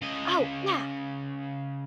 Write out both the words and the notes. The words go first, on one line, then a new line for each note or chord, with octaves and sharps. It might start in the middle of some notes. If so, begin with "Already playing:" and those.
Oh, yeah!
C#3 D#5